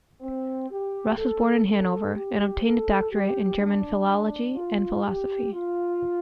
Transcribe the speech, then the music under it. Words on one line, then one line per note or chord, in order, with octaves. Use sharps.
Rust was born in Hannover, and obtained a doctorate in German philology and philosophy.
C4
G4
A4
A4
G4
A4
G4
D4
F4
G4
F4